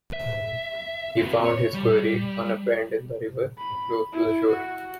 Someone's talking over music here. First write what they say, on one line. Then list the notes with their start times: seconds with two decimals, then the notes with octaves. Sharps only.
He found his quarry on a bend in the river, close to the shore.
0.13 E5
1.18 C4 F#4
1.45 C#5
1.74 G3
3.58 B5
4.13 E4
4.49 F#4